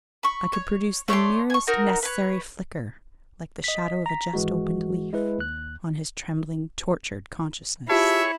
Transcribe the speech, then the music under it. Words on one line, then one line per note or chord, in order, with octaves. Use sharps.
I could produce the merest necessary flicker, like the shadow of a just-opened leaf, on his trembling, tortured consciousness.
B5 C#6
C#5
A3 C#5 D5 C6
G#5 C#6
D#4 F#4 A#4
B4 C#5
D#5 B6
A#5 B6
G#1 E3 G#3 F#4
G#3 E4 B4
D#2 F#6
E4 F4 G4 G#4 C#5 E5 A5